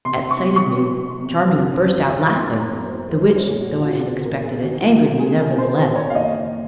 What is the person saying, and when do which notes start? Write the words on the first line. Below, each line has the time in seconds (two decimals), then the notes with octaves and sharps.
At sight of me Charmian burst out laughing, the which, though I had expected it, angered me nevertheless.
0.05 C3 C6
0.31 C#6
0.44 F#3
0.56 C#6
0.81 F#3
1.20 C3
1.57 F#2
1.95 F3
2.34 F#2 C6
2.60 A#5
2.73 F#2
2.86 C5
3.10 F3 C5
3.25 C5
3.36 C#5
3.48 A#1 G#4
3.61 F#4
3.82 F4
3.87 C4 F#4
4.05 G#4
4.25 A#1 A#4
4.44 G#4
4.62 D#3 F#4
4.75 F#4
4.81 F4
5.01 C4 F#4
5.19 G#4
5.39 C4 A#4
5.58 C5
5.76 D#3 C5
5.96 C#5
6.10 F5
6.15 F#1 D#5